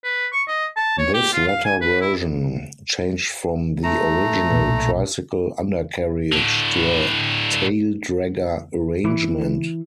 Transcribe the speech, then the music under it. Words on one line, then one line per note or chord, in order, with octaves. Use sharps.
This latter version changed from the original tricycle undercarriage to a taildragger arrangement.
B4
C#6
D#5
A5
C#5
G4
F4
F5
G#5
B4
E4
A3 A#5
B1 A#2
A2 D3
E3